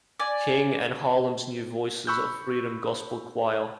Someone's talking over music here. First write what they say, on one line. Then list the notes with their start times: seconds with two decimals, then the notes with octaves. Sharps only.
King, and Harlem's New Voices of Freedom gospel choir.
0.20 D5 G#5
2.07 B5 C#6 E6 F#6 G6